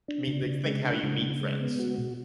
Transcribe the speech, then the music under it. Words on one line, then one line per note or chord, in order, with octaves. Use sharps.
Mean, like, think how you meet friends.
D4
C#3
C#3
G#3
D4
C#3
C#3
G#3
B3
F#4
B2